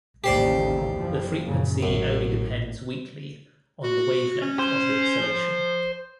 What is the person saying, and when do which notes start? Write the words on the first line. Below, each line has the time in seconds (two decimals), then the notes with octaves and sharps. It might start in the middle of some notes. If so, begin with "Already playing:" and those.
The frequency only depends weakly on the wavelength of the oscillation.
0.24 A1 D#2 C#3 G4 C5 D5
0.96 F#1 E3 F3
1.44 F#2 A#2 C#3
1.83 A1 F#2
3.84 F#4
4.42 C#4
4.59 C5
5.20 F3